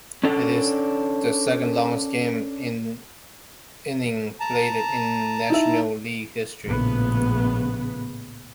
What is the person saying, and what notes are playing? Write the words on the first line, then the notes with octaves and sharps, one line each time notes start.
It is the second longest game in innings played in National League history.
C#4 D4 A4 D5
A5 A#5
D#4 E4 E5
A#1 A2 C#3 B3